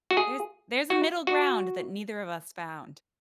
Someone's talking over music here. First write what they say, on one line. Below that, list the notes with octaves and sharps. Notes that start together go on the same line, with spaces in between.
There's there's a middle ground that neither of us found.
F#4
G#4
F#4
F#4